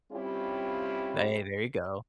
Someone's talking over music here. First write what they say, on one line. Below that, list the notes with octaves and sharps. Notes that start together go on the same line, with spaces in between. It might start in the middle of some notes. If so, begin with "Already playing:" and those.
Hey, there you go.
G3 C4 C#4 E4 F4 G4